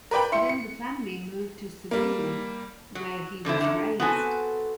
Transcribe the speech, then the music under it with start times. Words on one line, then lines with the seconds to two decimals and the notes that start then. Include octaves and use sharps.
Then the family moved to Seville, where he was raised.
0.11 A#4 B4 D5 G5 B5
0.32 E4 C6 C#7
0.49 C#7
1.91 G3 A#3
2.95 F#3
3.45 G2 D3 C4 E4
3.61 F#2 D3
4.00 B3 C4 F#4 A4 G#5